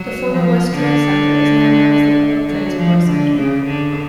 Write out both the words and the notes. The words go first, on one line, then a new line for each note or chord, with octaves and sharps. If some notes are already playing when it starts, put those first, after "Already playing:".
The former Westrail Centre is now known as the Public Transport Centre.
Already playing: F#3
F3
D3
F#3
F3
D3
C#3
D3